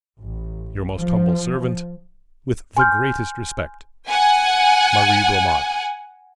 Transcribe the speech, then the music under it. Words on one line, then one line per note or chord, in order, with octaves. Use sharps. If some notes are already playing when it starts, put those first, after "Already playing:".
'Your most humble servant, 'With the greatest respect, 'MARIE BROMAR.'
A1
F3
G#5 C6 F6 G6
F#5 G#5